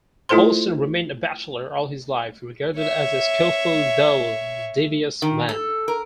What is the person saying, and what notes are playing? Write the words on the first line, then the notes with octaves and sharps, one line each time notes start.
Holstein remained a bachelor all his life, regarded as a skillful though devious man.
A3 E4 F4 A4 C5 C6
C#5 E5
D#3
A4
A#4